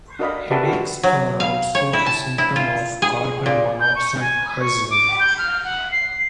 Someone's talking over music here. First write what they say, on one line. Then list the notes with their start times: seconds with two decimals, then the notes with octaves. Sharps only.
Headaches are also a symptom of carbon monoxide poisoning.
0.19 D4 F#4 A#4 D#5 F5 B5
0.50 F#4 G4 A#4 B4 E5 A5
0.66 F4 F#4
1.03 F#3
1.40 F5
1.75 C#5
1.93 E4
2.06 A5
2.38 E4
2.56 F4
3.02 G#4
3.46 A#2
3.80 G6
3.95 C#6
4.20 G#5
4.60 C#6
4.90 D6
5.20 G6
5.38 F6
5.64 F#5
5.92 C7